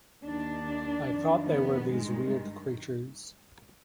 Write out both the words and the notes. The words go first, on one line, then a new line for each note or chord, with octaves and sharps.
I thought they were these weird creatures.
D#2 D#3 D4
F2 D#3
B3
G2 D#3 G#3